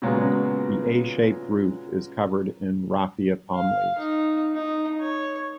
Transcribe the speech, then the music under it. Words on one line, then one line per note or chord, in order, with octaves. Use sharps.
The A-shaped roof is covered in raffia palm leaves.
A#2 C#3 F#3 G#3 B3
F5
D#4
D#4
C#5